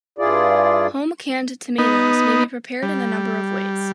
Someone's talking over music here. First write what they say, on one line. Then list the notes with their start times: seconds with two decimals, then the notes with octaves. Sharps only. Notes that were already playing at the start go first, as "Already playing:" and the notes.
Home canned tomatoes may be prepared in a number of ways.
0.18 G2 E4 F4 G#4 D5
1.78 B3 D#4
2.83 G3